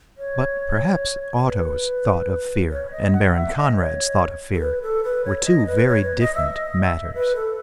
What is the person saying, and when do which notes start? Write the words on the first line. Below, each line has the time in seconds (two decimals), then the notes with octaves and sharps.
But perhaps Otto's thought of fear and Baron Conrad's thought of fear were two very different matters.
0.17 C#5
1.44 B4
2.71 C#5
2.92 D#5
3.13 F#5
3.34 E5
3.55 D#5
3.76 C#5
4.53 A4
4.60 B4
4.82 A4
5.03 B4
5.25 C#5
5.45 D#5
5.66 B4
5.88 C#5
6.03 B4
6.20 D#5
6.35 E5
6.51 D#5
6.82 E5
7.14 B4
7.36 A4